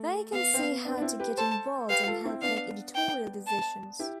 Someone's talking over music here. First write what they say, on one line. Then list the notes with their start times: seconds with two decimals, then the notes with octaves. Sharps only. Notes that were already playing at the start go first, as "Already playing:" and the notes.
They can see how to get involved and help make editorial decisions.
Already playing: A3
0.32 B3 F5
0.54 C4
0.58 B3
0.85 B3 D4
0.98 D4
1.02 C4 E4
1.19 G4 B4
1.37 A4 C5 A5
1.89 G4 B4 F5
2.07 F4 A4
2.25 C4 E4
2.42 B3 D4 F5
2.95 G5
3.47 A5
3.99 E4 G4